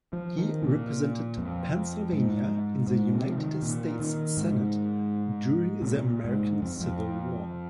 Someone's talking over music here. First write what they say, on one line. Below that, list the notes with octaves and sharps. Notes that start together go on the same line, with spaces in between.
He represented Pennsylvania in the United States Senate during the American Civil War.
F3
D#3
A#2
F2
G#2
G#2
C3
F3
D#3
A#2
D#3
G#2
C3
A#2
G#2
F2
F2